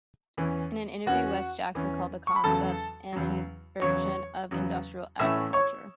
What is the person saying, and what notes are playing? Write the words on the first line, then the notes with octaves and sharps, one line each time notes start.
In an interview, Wes Jackson called the concept an inversion of industrial agriculture.
E2 E3 C#4
E2 E3 C#4 F#4 F#5
E2 E3 C#4
C#6
B5
E2 C#3 F#3 A4 A5
E2 C#3 F#3
E2 C#3 F#3 C#5 C#6
E2 C#3 F#3
A2 E3 A3 C#4 E5 E6
C#5 C#6